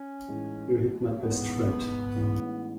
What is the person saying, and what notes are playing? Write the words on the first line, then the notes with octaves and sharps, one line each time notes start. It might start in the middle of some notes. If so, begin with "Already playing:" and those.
You hit my best friend.
Already playing: C#4
A1 A2 G#3 D#4
A1 A2 G#3 B3 D#4
A1 A2 G#3 D#4